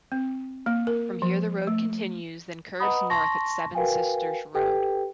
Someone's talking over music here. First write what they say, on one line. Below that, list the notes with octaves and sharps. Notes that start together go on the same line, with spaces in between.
From here the road continues then curves north at Seven Sisters Road.
C4
A#3
A#4
F3
A3
B4 D#5 F#5 A#5 B5 D#6
A5 C6 C#6 A#6
F#4 A#4 B4 F5 G5 G#5
G4 A4 B4 G5